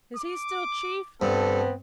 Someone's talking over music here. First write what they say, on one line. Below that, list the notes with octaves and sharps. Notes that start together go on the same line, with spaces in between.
"Is he still chief?"
D6
G2 B3 C4 A4